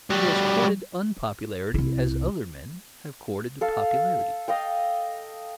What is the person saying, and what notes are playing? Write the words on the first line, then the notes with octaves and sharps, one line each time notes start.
He has courted unpopularity as other men have courted popularity.
G3 F#4
C2 E4
A4 F5
D#5 F5 G5